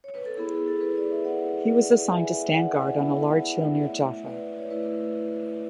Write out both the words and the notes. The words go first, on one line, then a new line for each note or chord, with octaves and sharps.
He was assigned to stand guard on a large hill near Jaffa.
C#5
B4
A4
B3 E4 G#4
G#4
A4
G#4 B4
D5
E5
B3 E4 D5 F#5
D5 F#5
B3 E4 E5 G#5
D5 F#5
B3 E4
A3 E4 C#5 E5
B4 D5
C#5
A3 E4 B4 D5